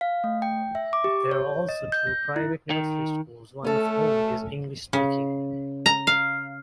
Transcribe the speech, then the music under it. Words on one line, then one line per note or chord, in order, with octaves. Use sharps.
There are also two private nursery schools, one of whom is English-speaking.
F5
A3
G5
E5
D6
G4
C#5
D#5
G6
A#6
E4
D#3
A3 C#4 A4
C#3
A#5
F5